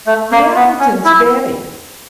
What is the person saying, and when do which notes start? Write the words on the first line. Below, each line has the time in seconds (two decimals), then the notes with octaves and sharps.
The Appletons' Betty.
0.07 A3
0.32 A#3
0.56 B3
0.80 C#4
1.05 E4